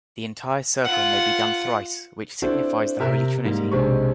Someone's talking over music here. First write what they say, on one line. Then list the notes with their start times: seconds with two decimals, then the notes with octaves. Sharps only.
The entire circle may be done thrice, which signifies the Holy Trinity.
0.85 F4 F#5
2.42 C4 D4 E4 F#4 A4 C5
3.00 C3 A#4 E5
3.45 G#2 G3 A#3
3.72 B1 C3 G#3 C4 D4 C#6